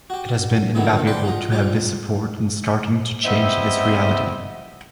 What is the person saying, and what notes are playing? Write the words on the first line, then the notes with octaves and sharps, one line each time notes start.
It has been invaluable to have this support in starting to change this reality.
F#4 G4
A#2 D3 D#3 G#3 B3 E4
B4 C5 D5 F#5 G5 C6
F4 D#5
G#2 G3 F4 G4
G3 B3 C4 E4 D#5 E5